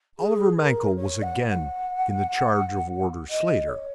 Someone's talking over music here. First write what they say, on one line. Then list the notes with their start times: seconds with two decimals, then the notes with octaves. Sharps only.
Oliver Mankell was again in the charge of Warder Slater.
0.19 G#4
0.58 A#4
0.97 C#5
1.22 F#5
1.49 F#5
3.30 D#5
3.69 C#5